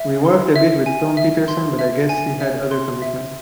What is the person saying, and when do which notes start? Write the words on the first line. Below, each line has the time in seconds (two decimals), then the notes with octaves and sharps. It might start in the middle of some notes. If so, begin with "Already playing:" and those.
We worked a bit with Tom Petersson, but I guess he had other commitments.
Already playing: E5
0.25 C6
0.56 E5
0.86 G#5
1.17 E5
1.48 C6
1.79 E5
2.09 G#5
2.40 E5
2.71 C6
3.02 E5